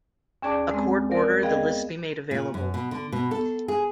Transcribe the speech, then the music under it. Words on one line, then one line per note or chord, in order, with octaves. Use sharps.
A court ordered the list be made available.
D#2 C#4 G#4 D5 A5 D6
G#3 C4
A#4 D5
B3 G#4 D#5 F5 G5
A#2
F#2
B2
D3
B2
A4
G#4